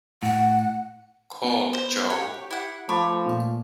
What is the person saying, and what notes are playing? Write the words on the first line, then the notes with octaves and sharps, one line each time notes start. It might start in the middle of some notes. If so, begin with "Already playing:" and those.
Call Joe.
A2 F#5
B3
C5
G4 C#5 F#5
E4 F#5
F3 A3 C#5 A5 B5 D6
A#2